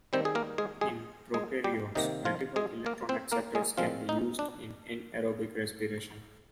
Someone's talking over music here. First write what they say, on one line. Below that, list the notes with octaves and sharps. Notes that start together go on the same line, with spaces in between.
In prokaryotes, multiple electron acceptors can be used in anaerobic respiration.
D#3 G3 C4 C5
G#4
A#3 A#4
G#3 G#4
G#3 G#4
G#3 G#4
G3 G4
C3 D#3 A#3 D#4
F3 F4
G#3 G#4
A#3 A#4
C4 C5
A#3 A#4
G#3 G#4
A#2 F3 G#3 C4 F4
D#4
D4